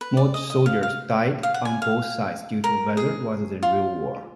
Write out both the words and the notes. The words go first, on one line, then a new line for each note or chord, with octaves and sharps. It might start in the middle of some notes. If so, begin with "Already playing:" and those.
More soldiers died on both sides due to weather, rather than real war.
B4
D5
D#5
D#5
F5
F5
F5
F#5
G#5
F5
A#4
G#4
F4